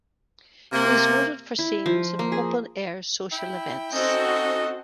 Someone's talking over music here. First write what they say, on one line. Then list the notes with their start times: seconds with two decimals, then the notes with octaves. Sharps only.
He is noted for scenes of open-air social events.
0.72 C3 A#3
1.59 E4
1.86 F3
2.19 A#3
2.32 G#4
3.32 E4 G5
3.93 C4 C#4 D#4 F#4 A4 D#5